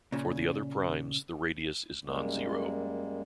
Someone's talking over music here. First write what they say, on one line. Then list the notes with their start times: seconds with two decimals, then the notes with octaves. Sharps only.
For the other primes the radius is non-zero.
0.12 A#2 C#3
2.05 F#2 G3 G#3 A#3